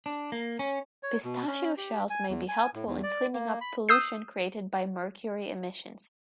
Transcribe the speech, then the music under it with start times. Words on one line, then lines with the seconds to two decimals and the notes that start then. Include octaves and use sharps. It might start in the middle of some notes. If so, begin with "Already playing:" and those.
Pistachio shells may be helpful in cleaning up pollution created by mercury emissions.
0.06 D4
0.32 A#3
0.59 C#4
1.03 C#5
1.24 B2
1.47 C#4
1.78 G4
2.10 G#5
2.30 E2
2.49 G#5
2.74 A2
2.87 E2
3.03 D5
3.34 A#3
3.61 B5
3.89 D#6 E6 G6 C7